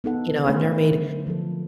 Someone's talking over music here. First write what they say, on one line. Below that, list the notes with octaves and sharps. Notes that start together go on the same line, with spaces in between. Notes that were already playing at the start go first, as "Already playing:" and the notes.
you know, I've never made
B3 D#4 A4 F#5
A3 D4 B4 C5
B4
D3 F#3
F3 A4